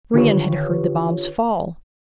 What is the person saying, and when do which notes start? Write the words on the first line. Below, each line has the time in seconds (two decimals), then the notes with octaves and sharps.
Brion had heard the bombs fall.
0.14 D3 D#3 F4 G4 B4 C#5